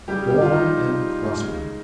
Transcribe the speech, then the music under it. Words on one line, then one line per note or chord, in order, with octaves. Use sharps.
Go on and prosper!'
C#3 G3 G4
G4
F4
D#4
C#3 G#3